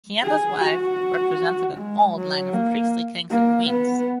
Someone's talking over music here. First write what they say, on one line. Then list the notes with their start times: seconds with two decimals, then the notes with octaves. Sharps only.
He and his wife represented an old line of priestly kings and queens.
0.24 G#4
0.62 F#4
1.77 G#3
2.16 F#3
2.53 A#3
3.30 A#3
3.69 B3